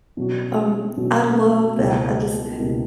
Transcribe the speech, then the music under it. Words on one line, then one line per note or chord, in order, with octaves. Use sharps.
Um, I love that. I just,
B2 F#3 C#4 F#4
B2 F#3 C#4 F#4
C#2 B2 G3 A#3 E4
C#2 B2 G3 A#3 E4